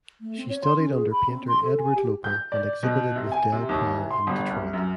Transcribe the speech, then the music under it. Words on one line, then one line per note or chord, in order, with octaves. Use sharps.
She studied under painter Edward Loper and exhibited with Dell Pryor in Detroit.
A3
C4
C#5
C6
C#4
G#4
B5
C4
C6
A4
G#5
G4
G6
D5
B2
C3
G#5
C3
D#2
E3
C6
G1
C2
F#2